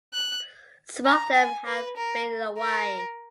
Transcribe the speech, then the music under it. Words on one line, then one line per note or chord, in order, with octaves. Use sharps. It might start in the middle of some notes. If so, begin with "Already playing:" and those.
Some of them have faded away.
F#6
A#5
G#5
B4
A#4
A#4